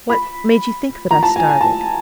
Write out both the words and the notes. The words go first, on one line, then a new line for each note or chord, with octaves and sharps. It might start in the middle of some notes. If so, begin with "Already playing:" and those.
What made you think that I started?
B5
A#5
A5
G#5
G#5
A5